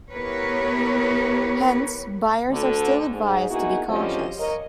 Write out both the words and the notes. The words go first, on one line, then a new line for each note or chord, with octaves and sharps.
Hence, buyers are still advised to be cautious.
B3 E4 G4 A#4 B4 C#5
D2 D3
G#2
A#3 B3 D#4 E4 F#4 G#4
D3 F3 G3 C4 C#4 D#5
A#4 C#5 D#5